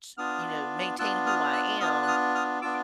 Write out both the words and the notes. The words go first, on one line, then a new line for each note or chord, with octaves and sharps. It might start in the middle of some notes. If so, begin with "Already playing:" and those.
t you know, maintain who I am
B3 D4 F4 D#6 F6
B3 D4 F4 E6 F#6
D#6 F6
E6 F#6
B3 D4 F4 D#6 F6
F#6
D#6 F6
D#6 F6
B3 D4 F4 D6 E6